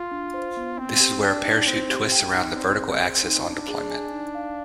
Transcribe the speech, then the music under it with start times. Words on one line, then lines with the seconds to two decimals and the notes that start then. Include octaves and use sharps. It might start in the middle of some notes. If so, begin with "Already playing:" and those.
This is where a parachute twists around the vertical axis on deployment.
Already playing: F4
0.11 D4
0.34 C5
0.57 B3
0.78 C4 C5
1.00 G4
1.23 D4 G5
1.45 D#4
1.67 C4 C5
1.90 G4
2.12 G5
2.34 D#4
2.56 C4 D5
2.78 G#4
3.00 C4 G#5
3.23 D#4
3.45 D4 D5
3.68 G#4
3.90 G#5
4.12 D#4
4.35 F5